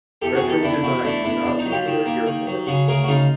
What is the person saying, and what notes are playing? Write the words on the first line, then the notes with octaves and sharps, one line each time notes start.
Retro design is not what we are here for.
E2 G4 A4
F#4 G#4
E2
G4 A4
E2 D4 E4
E2 E4 F#4
A3 D4 E4
E2 D4 E4
E2 D4
D#4
F#3
F4 G4
D#3
A#3
D#3
F#3
C#3 F#4 G#4
D2 G#4 A#4
F#4
C#3 D#4 F4